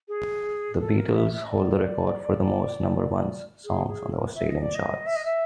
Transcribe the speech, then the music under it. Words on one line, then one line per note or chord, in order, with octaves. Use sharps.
The Beatles hold the record for the most number-ones songs on the Australian charts.
G#4
A4
A#4
E5
E5
D#5
D5
G#4
G#4
A#4
E5
D#5
D5
D#5
E5
D#5
E5